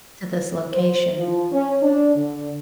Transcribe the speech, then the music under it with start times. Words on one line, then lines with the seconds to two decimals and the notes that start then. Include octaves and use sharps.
to this location,"
0.73 C5
1.18 F3
1.52 C#4
1.83 D4
2.16 D3